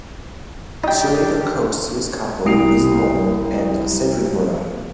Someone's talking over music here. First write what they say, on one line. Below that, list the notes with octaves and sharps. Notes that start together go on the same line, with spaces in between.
She later coached Swiss couple Leslie Monod and Cedric Monod.
D4 D#4 G4 G5
C2 D#6 C7 D7 F7